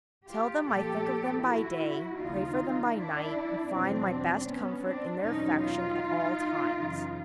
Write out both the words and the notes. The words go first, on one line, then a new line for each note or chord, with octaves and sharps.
Tell them I think of them by day, pray for them by night, and find my best comfort in their affection at all times.
F4 G4
A#2 F3 G4 A4
E4 F#4
D#2 C#3 F#3 D#4 F4
D4 E4
E2 B2 F#3 C4 D4
B3 C#4
C4 D4
E2 B2 F#3 C#4 D#4
D#4 F4
F#2 C#3 E3